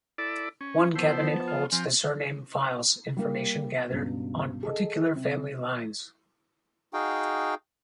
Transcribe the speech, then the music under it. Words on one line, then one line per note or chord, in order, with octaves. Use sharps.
One cabinet holds the surname files-information gathered on particular family lines.
E4 A4 D5
C#4
F3 B3 E4 C5 A5
F4
F3 C4 G#5
G3 A#3
C#2 G2 B2
G#4 A4 D#5
C3
D#4 F#4 G#4 F5 G5